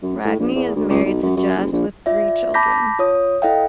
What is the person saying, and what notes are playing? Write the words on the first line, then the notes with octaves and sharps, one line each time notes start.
Ragni is married to Jess, with three children.
F#2
A2
A#1
E2
D2
C#2
B1
F#2
F#2
F#1
A#1
F4 D5 E5
A5 B5 D6 G6 A#6 B6
F4 C#5 D#6
E4 A4 D#5 F5 G5